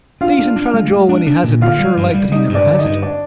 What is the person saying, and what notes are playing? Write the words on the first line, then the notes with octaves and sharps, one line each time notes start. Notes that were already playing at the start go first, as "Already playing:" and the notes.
Decent fellow Joe when he has it but sure like that he never has it.
D4 F4 F5
D4
D4
G#3
G#3
D4
D4
A#2
D3 F4 F5
G3
G2
G3
G3 D#4 D#5
G2
D4 D5
D3
D#4 D#5
G2
D4 D5